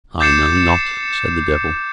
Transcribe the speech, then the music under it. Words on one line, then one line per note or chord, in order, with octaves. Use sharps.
"I know not," said the devil.
D6 G6 A6 C7 C#7 E7